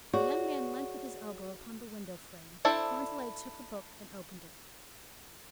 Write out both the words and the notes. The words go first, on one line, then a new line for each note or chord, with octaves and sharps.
The young man leant with his elbow upon the window-frame; Montalais took a book and opened it.
F#4 G#4 C#5 D5
D4 E4 A4 C5 D5